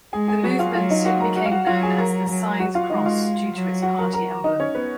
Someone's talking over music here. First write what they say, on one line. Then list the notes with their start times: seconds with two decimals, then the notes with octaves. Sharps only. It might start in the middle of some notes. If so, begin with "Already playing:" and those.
The movement soon became known as the Scythe Cross due to its party emblem.
0.13 G#3 G#4 G#5
0.28 G#4 G#5
0.43 F#3 F#4 F#5
0.59 F4 F5
0.75 F#3 F4 F5
0.91 D#4 D#5
1.05 F#4 F#5
1.20 A#4 A#5
1.36 F#4 F#5
1.46 F5
1.52 F#4 F#5
1.67 F#3 F4 F5
1.83 G#4 G#5
1.99 A#4 A#5
2.29 F#3
2.59 F#4 F#5
2.75 F4 F5
2.90 G#3 D#4 D#5
3.05 F4 F5
3.52 F#3
3.82 F#4 F#5
3.99 A#4 A#5
4.13 A#4 A#5
4.44 D#4 D#5
4.60 C#4 C#5
4.75 B3 B4